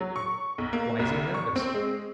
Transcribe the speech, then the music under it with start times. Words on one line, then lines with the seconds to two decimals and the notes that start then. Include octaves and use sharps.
Why is he nervous?
0.01 F#3
0.16 C#6
0.58 B1
0.73 A#3
0.99 C2
1.34 C#6
1.56 C4
1.74 G#3